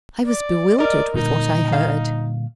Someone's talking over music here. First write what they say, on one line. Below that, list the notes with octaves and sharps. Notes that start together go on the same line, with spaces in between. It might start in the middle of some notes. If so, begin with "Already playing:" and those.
I was bewildered with what I heard.
D5
A#4 D5 D#5
A#2 D3 G3 D#4
F5